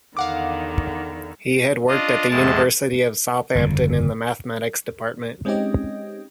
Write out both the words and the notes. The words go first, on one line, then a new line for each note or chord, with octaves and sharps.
He had worked at the University of Southampton in the Mathematics Department.
E2 D3 D#3 F5 F#5 D6
D4 F4 D#5
E2 A2 G#3 A5
G1 F2 C#3
G#3 C4 C#4 D#4 G4 D#5